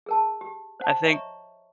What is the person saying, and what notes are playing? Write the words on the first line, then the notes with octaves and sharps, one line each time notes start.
I think
G#4 A#4 A5
G4
C5 F#5 A5
C#5 D#5 E5 A#5 C#6